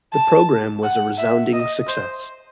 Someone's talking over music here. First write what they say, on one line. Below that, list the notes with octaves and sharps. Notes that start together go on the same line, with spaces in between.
The program was a resounding success.
A5
F#5
E5
D#5
C5